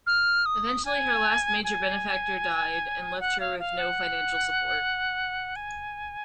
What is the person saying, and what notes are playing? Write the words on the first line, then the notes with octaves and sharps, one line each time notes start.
Eventually, her last major benefactor died and left her with no financial support.
F6
D#6
G#5
G#5
F#5
F5
F5
F#5
G#5